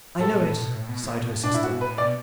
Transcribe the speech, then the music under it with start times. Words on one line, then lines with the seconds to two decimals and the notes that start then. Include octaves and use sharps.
"I know it," sighed her sister.
0.19 A2 A4
0.33 B2
0.47 A2
0.61 B2
0.75 A2
0.89 B2
1.03 A2
1.16 B2
1.31 A2
1.44 B2 D4
1.54 E4
1.58 A2
1.63 F#4
1.72 B2
1.81 B4
1.87 A2
1.98 B2 D5